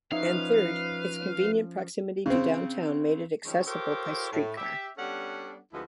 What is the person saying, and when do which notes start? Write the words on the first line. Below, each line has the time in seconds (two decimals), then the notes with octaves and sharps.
And third, its convenient proximity to downtown made it accessible by streetcar.
0.12 F3 C#4 D#4 B4 C#5 E5 F5
2.26 C#3 C4
3.44 D#3 F3 G#3 C4 C#4
3.66 F4 G4 A4 A#4 C5 C#5
4.32 A2
4.58 G4 E5
4.98 G3 B3 C#4 D4 A4 F#5
5.73 D2 F3 G#3 B3 E4 F#4